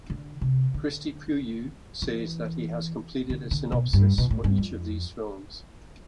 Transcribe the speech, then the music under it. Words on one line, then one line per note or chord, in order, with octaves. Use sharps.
Cristi Puiu says that he has completed a synopsis for each of these films.
D3
C3
D3
E3
D3
D3
B2
G2
B2
A2
G2
F2